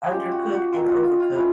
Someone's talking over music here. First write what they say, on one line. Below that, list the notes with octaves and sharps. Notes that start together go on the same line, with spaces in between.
undercook and overcook
G#3 C#4 F4 G4
F#4
G4
F#4
G#3 C4 D#4 F4
F#4
F4
F4
F3 A3 C#4 E4